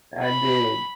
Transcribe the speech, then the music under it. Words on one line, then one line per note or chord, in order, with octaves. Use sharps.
I did.
B5